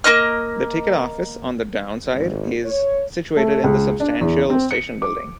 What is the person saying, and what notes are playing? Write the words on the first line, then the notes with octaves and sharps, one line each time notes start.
The ticket office, on the 'down' side, is situated in the substantial station building.
A#3 E4 D#5 F6
G#1
C#5
A3
C#2
D4
E2
C4
C#7
D6